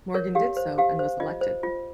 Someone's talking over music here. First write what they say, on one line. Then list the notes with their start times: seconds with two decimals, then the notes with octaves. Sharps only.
Morgan did so and was elected.
0.14 A#4 C#5
0.35 G4 F5
0.57 C5
0.78 G4 F5
0.99 C5
1.20 F4 D#5
1.41 C5
1.63 F4